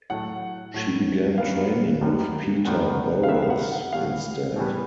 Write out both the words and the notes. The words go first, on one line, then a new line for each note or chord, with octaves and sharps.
She began training with Peter Burrows instead.
A2 F#3 A3 F#5
A2 F#3 A3
F#2 D#3 G3 B3 F5
F#2 D#3 G3 B3
F#2 D#3 G3 B3
F5
F#2 D#3 G3 B3 E5
F5
F#5
F#5
A2 E3 G3 B3 F5
A2 E3 G3 B3